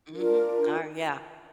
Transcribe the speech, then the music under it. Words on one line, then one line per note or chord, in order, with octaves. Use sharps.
Mhm, oh yeah.
D4 F4 A#4